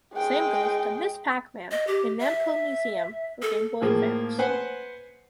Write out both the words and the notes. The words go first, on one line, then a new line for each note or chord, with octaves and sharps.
Same goes to "Ms. Pac-Man" in "Namco Museum" for Game Boy Advance.
G#3 G5
D#5
G4
E5
A4
A2 F3 A#3 G#4
B4 C5 F#5 G#5